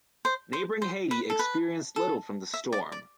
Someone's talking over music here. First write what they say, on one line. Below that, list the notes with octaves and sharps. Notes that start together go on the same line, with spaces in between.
Neighboring Haiti experienced little from the storm.
C5
C5
C5
B4
A4
B4
A4
E5
D5
D5